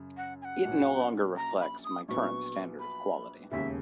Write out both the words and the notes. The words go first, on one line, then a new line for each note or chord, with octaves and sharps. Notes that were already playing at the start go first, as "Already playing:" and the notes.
It no longer reflects my current standard of quality.
Already playing: F#2 C#3
F#5
G#5
F#5
A#1 A#2 F#3 C#4
A#5
B5
D#6
A#1 A#2 F#3 B3 C#6
B5
E1 D#2 C#3 E5